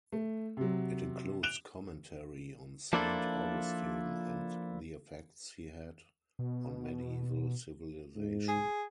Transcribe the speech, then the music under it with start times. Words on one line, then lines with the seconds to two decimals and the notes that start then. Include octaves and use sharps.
It includes commentary on Saint Augustine and the effects he had on medieval civilization.
0.12 A3
0.57 C3 F#3
1.43 F#6 D7 E7 F7 G7
2.93 F3 A#3 D4 E4 F4 A4
6.39 B2
8.16 G#2
8.48 G#4